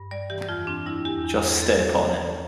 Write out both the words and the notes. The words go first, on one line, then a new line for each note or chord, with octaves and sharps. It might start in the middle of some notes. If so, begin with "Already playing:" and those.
Just step on it.
Already playing: G2
G3 D5
E3 G4
F2 F4
C4 D4
G3 E4
E2 G4
E2
E2
C4 A4